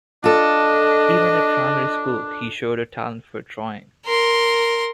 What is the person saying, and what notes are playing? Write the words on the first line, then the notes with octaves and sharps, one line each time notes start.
Even at primary school he showed a talent for drawing.
D4 F4 A4 D#5
A#4 C6